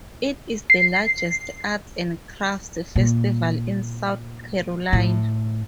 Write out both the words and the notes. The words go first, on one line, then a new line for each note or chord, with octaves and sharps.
It is the largest arts and crafts festival in South Carolina.
C7
A#2
A2